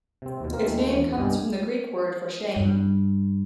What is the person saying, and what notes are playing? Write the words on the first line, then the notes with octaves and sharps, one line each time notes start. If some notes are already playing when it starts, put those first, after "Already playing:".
Its name comes from the Greek word for "shame".
C3 C4
D#2 B2
A#3 C4 A#4
D#2 D#3 F3 G#3 A3
E2
C2 G2 D5 D#5 G5 G#5
G2